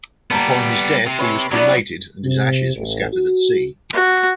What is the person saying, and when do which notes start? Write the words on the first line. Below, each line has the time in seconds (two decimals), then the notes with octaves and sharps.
Upon his death, he was cremated, and his ashes were scattered at sea.
0.31 G3 A#3 B3 A5
1.06 C3
1.19 B4 C#5 G#5
1.51 F#3 G3 B3 D4 E4
2.23 C3
2.75 A1
3.13 F#4
3.93 F#4